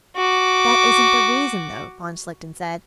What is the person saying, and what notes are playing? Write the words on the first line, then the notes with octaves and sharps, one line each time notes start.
"That isn't the reason, though," von Schlichten said.
F#4 D6